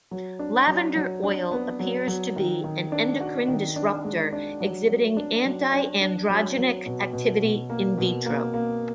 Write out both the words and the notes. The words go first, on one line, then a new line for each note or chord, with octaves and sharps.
Lavender oil appears to be an endocrine disruptor, exhibiting anti-androgenic activity in vitro.
F#3
D4
F#3
F#3
D4
B3
F#3
F#3
D#3
D#3
D4
F#4
D#3
D4
G#3
D4
F#3
F#3
D4
F#3
D4
D4
F#3
F#3
B2
B2
B2
A#3
B2
A#3
A#3